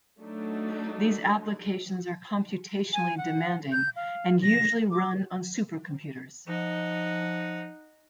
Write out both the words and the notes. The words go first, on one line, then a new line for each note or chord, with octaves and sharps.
These applications are computationally demanding and usually run on supercomputers.
F#3 A3 D4 D#4
G#5
F#5
G6
F5
A#6
D6
F3 D#4 F#5